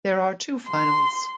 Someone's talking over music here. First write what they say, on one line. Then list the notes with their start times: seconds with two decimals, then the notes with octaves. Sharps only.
There are two finals.
0.68 C6